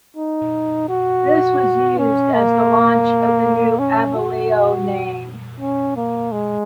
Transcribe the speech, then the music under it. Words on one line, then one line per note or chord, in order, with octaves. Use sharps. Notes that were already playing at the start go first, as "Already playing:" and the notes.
This was used as the launch of the new Abellio name.
D#4
F#4
C#4
A#3
C#4
F#4
C#4
A#3
G#3